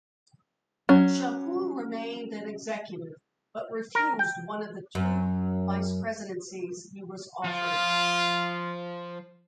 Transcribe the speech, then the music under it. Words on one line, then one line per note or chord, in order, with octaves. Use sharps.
Chaput remained an executive, but refused one of the two vice-presidencies he was offered.
F#3 C#4
A#4
G5
F#2
F3 F4